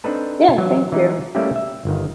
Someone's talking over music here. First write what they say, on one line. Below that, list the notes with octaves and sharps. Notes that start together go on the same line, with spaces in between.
Yeah, thank you.
C4 D4 D#4 A4 B4 A5
E3 F#3
E3 D#4
G3 A3 A#3 C#4 E4 G4
E5
G1 D#3